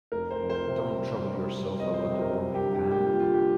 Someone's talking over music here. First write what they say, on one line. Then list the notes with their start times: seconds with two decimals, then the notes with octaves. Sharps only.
Don’t trouble yourself about the warming-pan.
0.12 F1 A#4
0.30 C5
0.39 F2
0.50 C5
0.67 C3
0.95 G3
1.23 G3
1.51 G3
1.80 F2 D#5
1.94 C5
2.08 C3
2.21 A#4
2.36 G3
2.54 G4
2.63 D3
2.73 G4
2.91 A#3 G4
3.06 F4
3.19 D3 F4
3.33 G4